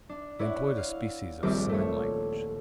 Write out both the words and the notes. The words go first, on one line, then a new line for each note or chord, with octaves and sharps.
They employed a species of sign language.
D4
E4 C#5 D5 F#5
F5
D#1 A#1 G3 C4 F4 D6
A3 C#5